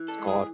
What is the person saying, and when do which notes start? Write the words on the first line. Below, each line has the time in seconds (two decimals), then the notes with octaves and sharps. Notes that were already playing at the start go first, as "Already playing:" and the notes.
It's called,
Already playing: E3
0.08 A4
0.18 G#3
0.28 G#4